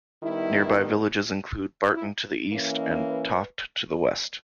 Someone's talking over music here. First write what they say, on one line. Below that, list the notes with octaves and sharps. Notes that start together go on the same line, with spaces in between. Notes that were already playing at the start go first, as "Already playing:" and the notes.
Nearby villages include Barton to the east and Toft to the west.
D#3 G3 B3 E4
E4
E3 A#3 C#4
D#5
B4